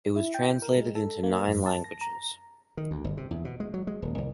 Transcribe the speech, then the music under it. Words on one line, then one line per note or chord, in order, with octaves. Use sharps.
It was translated into nine languages.
E4
G5
A#4
G#3
A4
A#3
F#2
A5
A#6
A#5
D#3
D2
G1
C3
E2
B2
G#3
F#3
G#3
D#1
C2